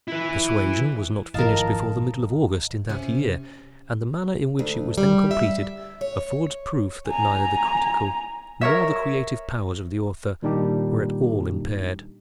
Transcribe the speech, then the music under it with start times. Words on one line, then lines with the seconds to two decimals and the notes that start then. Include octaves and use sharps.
'Persuasion' was not finished before the middle of August in that year; and the manner in which it was then completed affords proof that neither the critical nor the creative powers of the author were at all impaired.
0.08 E4 B4
1.34 G#1 E3 F3 D#4 A#4 D#5 F5 A5
2.89 C3 C#4
4.59 D2
4.98 G3
5.31 E5
6.01 C#5
7.07 G#5 A#5
8.61 A#4 C#5 E5
10.43 A#2 D#3 G3 D4 D#4 G4